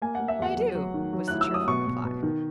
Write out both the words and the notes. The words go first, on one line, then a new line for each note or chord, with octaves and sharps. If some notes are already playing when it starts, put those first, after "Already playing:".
"I do," was the cheerful reply.
A#3 G#5
A#3 F#5
E5
E2 F#5
F#3
F#3
D#3
F#3
E4 F#6
E6
F#3 D#6
B2 C#6
B2
B2
D#3